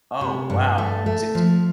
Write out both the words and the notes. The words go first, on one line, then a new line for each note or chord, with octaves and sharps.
Oh, wow, di di
C3
G2
A3
A3
F3